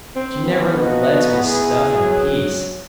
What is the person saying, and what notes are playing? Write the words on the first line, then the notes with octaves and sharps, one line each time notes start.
She never lets me stuff in peace.
C4
A1 B3
F3 D#4 F#4
E2 G#4
F#3